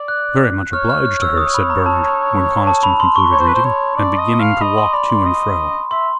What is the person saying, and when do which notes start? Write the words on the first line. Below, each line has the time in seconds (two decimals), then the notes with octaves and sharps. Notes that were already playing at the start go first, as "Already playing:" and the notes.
"Very much obliged to her," said Bernard, when Conniston concluded reading, and beginning to walk to and fro.
Already playing: D5
0.08 F#6
0.73 C#5 F6
0.90 F6
1.05 F6
1.22 E6
1.37 D#6
1.54 B5
1.70 A#5
1.86 A5
2.67 A5
2.83 B5
3.00 C6
3.16 C#6
3.32 C#5
3.39 C5
3.47 B4
3.54 C5
3.64 C#5
3.97 D5
4.18 D#5
4.40 F5
4.61 D#5 B5
4.78 C6
4.93 D5 B5
5.10 C6
5.26 D#5
5.91 E5 C6